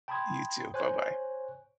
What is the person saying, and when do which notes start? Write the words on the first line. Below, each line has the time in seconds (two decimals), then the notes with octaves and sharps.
You too, buh-bye.
0.08 G5 A5 B5 C6 D#6 G#6
0.74 C5 C#5 G#5 F#6